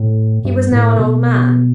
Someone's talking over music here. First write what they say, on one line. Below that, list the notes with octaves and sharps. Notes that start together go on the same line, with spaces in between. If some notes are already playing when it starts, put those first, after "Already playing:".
He was now an old man.
Already playing: A2
G2
A2
B2